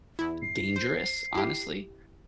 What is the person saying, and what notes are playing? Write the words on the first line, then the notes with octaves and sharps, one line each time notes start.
dangerous, honestly.
E2 E4
C7
C5
E4 G4